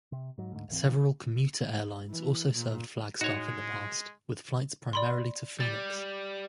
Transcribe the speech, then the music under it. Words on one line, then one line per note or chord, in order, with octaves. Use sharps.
Several commuter airlines also served Flagstaff in the past with flights primarily to Phoenix.
C3
G#2 F#3
D2 G#2
D1 G#1 E3 C4
A#2 D#3 F3
E3
A#2
A2 G#3 D#4 F#4 C#5
D5 B5 C6
G3 A6